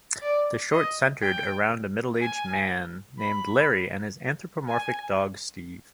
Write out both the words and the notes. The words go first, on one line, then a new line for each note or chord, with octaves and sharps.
The short centered around a middle-aged man named Larry and his anthropomorphic dog Steve.
D5
D#5
G5
G#5
B5
G#5